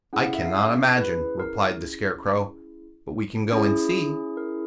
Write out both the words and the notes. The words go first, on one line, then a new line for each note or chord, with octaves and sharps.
"I cannot imagine," replied the Scarecrow; "but we can go and see."
C#4 E4 G#4 F#5
F5
E5
F5
B4
A#4
C#4 E4 G#4
A#4